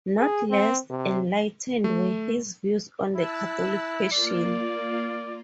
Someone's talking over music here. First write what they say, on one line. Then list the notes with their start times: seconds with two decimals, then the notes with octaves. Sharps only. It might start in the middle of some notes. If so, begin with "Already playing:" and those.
Not less enlightened were his views on the Catholic question.
0.20 G#4
0.51 C4
0.90 C3
1.84 A3
3.16 E4 A5 E6 F#6
4.12 A#3 F4 D5